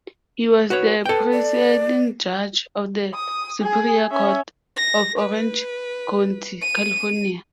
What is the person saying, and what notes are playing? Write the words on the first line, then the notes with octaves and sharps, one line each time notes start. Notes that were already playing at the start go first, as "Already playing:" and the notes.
He was the presiding judge of the Superior Court of Orange County, California.
F#4 B4 C#5
A4 B4 G5
D5
D#6
G#4
C#4 E5
A#6
B4
D#7